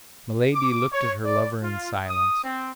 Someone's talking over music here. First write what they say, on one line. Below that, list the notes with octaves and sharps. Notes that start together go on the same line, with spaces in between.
Milady looked at her lover in silence.
D6
C#5
D5
F4
D#6
C4